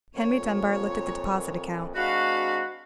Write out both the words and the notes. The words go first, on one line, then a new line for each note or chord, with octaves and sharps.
Henry Dunbar looked at the deposit account.
F2 A#2 C#5
G#3 C4 D4 F#4 F5 B5